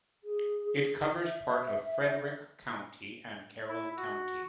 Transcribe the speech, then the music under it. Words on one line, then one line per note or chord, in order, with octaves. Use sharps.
It covers parts of Frederick County and Carroll County.
G#4
E5
E4
F#4